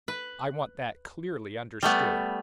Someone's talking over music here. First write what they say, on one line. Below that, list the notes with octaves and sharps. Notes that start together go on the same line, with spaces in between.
I want that clearly understood.
B4
G3 A3 B3